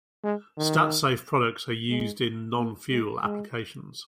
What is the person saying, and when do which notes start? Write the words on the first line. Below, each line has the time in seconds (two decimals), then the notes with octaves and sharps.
Statsafe products are used in non-fuel applications.
0.24 G#3
0.57 D#3
1.90 G#3
2.57 A#3
2.90 G#3
3.23 G#3